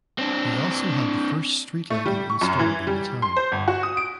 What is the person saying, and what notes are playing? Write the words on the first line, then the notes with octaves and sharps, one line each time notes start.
He also had the first street lighting installed in the town.
C4 D4
A3
G3
C#6
F#2
E3
G3
C6
C5
G1
F#4
D#6
D7